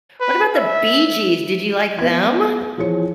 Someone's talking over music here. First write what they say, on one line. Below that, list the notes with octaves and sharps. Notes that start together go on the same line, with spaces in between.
What about the Bee Gees? Did you like them?
B4
E5
B3 B4 G#6
E3 F3 F4 G#4 C#5 C#7